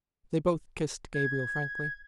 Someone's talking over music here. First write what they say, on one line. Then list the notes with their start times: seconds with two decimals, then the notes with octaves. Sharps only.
They both kissed Gabriel frankly.
1.14 G#6